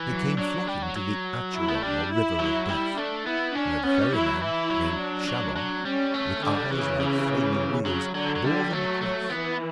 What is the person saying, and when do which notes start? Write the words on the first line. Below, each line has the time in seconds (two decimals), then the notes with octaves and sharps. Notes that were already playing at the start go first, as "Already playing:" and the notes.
They came flocking to the Acheron or River of Death, where the ferryman named Charon, with eyes like flaming wheels, bore them across.
Already playing: E3
0.10 F#3
0.38 F#3 D4
0.67 G3
0.82 F#3
0.96 F#3
1.54 E4
1.68 B3
1.75 A3
1.83 G3 D4
2.12 E4
2.40 F#3
2.69 G3 E4
2.97 A3 D4
3.26 B3 E4
3.55 C#4 D4
3.83 B3 C#4
3.99 G3
4.13 F#3 E4
4.41 E3 E4
4.71 F#3
4.98 D4
5.28 F#3
5.56 F#3
5.85 G3 C#4
6.14 A3
6.43 D3 G3
6.71 C#3 E3
7.00 E3
7.86 C#3 F#3
8.15 D3 F#3
8.36 F#3
8.44 D3 G3
8.73 F#3 A3
9.01 A3
9.30 E3 B3